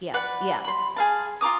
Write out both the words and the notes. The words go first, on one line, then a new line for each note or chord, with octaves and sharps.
Yep, yep.
B4 D5 F#5
B5 C6
G#4 F5 A5
F4 A#5 D6 D#6